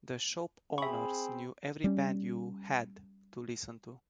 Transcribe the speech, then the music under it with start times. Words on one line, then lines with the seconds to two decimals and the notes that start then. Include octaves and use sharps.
The shop owners knew every band you "had" to listen to.
0.78 C4 G#4 E5 B5 C#6
1.84 G3 C#4